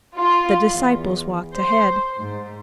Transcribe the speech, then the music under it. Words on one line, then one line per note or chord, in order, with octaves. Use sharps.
The disciples walked ahead.
F4
E2
C5
G#2